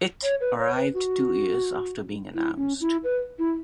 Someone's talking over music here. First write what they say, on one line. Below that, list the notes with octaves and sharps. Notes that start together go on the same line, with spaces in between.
It arrived two years after being announced.
C#5
B4
C#5
B4
F#4
E4
C#4
E4
B4
E4